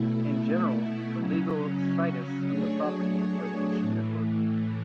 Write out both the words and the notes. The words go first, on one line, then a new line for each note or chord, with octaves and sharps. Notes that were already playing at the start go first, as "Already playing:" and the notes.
In general, the legal "situs" of the property is where the instrument is located.
Already playing: B2 A3 E4
C#3 F#3 C#4
F#3 A3 D4 G#4 C#5
A2 E3 A3